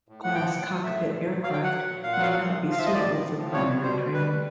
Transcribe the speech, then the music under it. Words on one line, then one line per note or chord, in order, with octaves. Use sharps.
Glass cockpit aircraft may not be suitable for primary training.
A2
A2 F#5
F3 G5
F#5
A2
F3
A2 E5
A2
A#2
F#3
F#3 F5
G5
F#3 F#5
F#3
A#2
A#2 F5
F#5
F#3 F5
F3
F3
F3
F5
F3 E5
D#5
A2 D5
A2
A2
F3
G3 C#5
G3
B2 C5
G3
G3 B4
G3